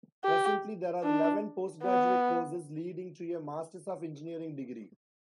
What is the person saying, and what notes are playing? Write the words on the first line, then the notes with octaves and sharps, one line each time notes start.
Presently there are eleven post-graduate courses leading to a Masters of Engineering degree.
G4
D4
B3